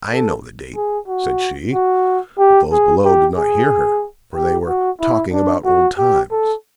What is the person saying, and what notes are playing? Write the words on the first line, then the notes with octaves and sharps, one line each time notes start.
'I know the date,' said she; but those below did not hear her, for they were talking about old times.
A4
G#4
F#4
F#4
G4
G#4
G4
G#4
G4
F#4
E4
D4
F#4
G4
A4